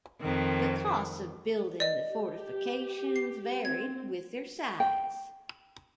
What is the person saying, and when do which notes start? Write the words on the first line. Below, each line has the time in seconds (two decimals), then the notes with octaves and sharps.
The costs of building the fortifications varied with their size.
0.21 F2 D#3
1.80 D5 D#5
2.10 G4
3.16 C7
3.65 C4 G#6
4.80 G5